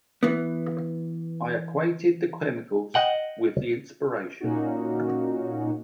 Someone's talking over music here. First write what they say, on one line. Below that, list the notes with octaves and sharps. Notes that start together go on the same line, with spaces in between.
I equated the chemicals with the inspiration.
E3 B3
D#5 F#5 G5
A#2 A#3 C#4 D#4 F#4